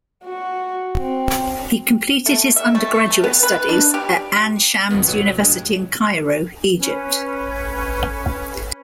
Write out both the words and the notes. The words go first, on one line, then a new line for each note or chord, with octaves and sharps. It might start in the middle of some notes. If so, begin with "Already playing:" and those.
He completed his undergraduate studies at Ain Shams University in Cairo, Egypt.
F#4
C4
A3
E5
A3
A5
B3
B4
D4
G4
G1 F2 D#3 B3
B1 F#3
G2 G#3
C#4 B4